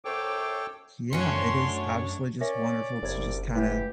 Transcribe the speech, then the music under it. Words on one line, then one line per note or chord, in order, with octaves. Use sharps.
Yeah, it is absolutely just wonderful to just kinda,
F#2 A4 C5 C#5 G5 D6
F#2 A3 C#4 D4 F#4 C#5 C6
C#4 A#4 D5 E5 A#6
F#1 C2 C#5 G#6
E3 G#3 A3 E4 G4